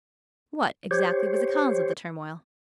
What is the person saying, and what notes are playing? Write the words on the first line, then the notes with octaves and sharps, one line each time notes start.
What, exactly was the cause of the turmoil?'
G4 C5 C#5